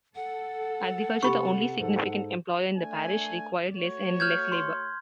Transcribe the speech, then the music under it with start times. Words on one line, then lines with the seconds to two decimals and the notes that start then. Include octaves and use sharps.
Agriculture, the only significant employer in the parish, required less and less labour.
0.15 A4 F#5
1.23 C3 G4 B5 C#6
1.80 G#2 A4
2.76 A3 D4 G#5
3.72 A3 F#4 C#5
4.20 F6 G6 G#6
4.52 C6